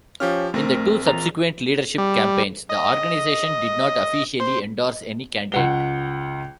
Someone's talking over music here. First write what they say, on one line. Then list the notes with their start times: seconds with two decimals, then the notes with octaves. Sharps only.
In the two subsequent leadership campaigns the organisation did not officially endorse any candidate.
0.20 F3 C#4 F4 G4 F6
0.54 A#1 A3 C4 A#4
1.07 E3 F4 A#5
1.98 G3
2.69 D#5
4.40 C5
5.52 C#2 F#5 G7